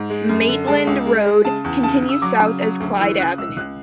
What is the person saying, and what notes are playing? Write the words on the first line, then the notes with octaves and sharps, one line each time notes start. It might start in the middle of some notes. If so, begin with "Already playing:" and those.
Maitland Road continues south as Clyde Avenue.
Already playing: G#2
G#3
F#2
D3
G#3 A5
C#2
G#3
G#3
C#3 A5
E2
C#3 A5
C#3
E6
F#3 D6
C#3
F#3
D2
E3 E6
C#3 F#6
C#2 E6
C#2 F#6